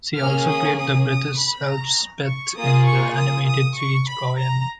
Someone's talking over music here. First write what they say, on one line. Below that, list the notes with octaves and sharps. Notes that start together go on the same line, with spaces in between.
She also played the British Elspeth in the animated series Gawyan.
A#3 C#4 G#4 F6
D#6
D#6
D#6
B5
A#5
C#6
A#3 F4 G#4 D#6
C#6
D#6
D#6
C#6
B5
A#5